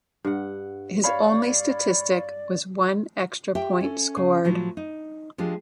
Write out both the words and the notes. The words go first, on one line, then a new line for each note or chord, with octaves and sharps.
His only statistic was one extra point scored.
G2 F#5
C#5 D5 F5 B5
G4 E5 G5
C#4 A4
C#3
A2 F3 F#3
D#4
F3 G#3 D4 G4